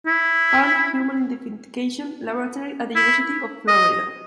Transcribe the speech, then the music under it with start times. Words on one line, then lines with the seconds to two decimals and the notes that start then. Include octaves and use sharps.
Pound Human Identification Laboratory at the University of Florida.
0.06 E4
2.96 E4
3.68 D#5